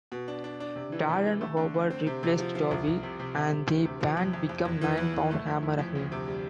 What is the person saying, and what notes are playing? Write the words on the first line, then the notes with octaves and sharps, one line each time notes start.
Darren Howard replaced Toby, and the band became Nine Pound Hammer again.
B2
D4
D4
D4
C3
E3
C3
E3
A3
D3
D3
C4
C3
C3
F3
F3
C2
C2
C3
C3
C3
C3
D2
C3
F3
F2
F2
F2
E2
E3
E2
E2
A3
F2
E4
F2
D2
C3
G3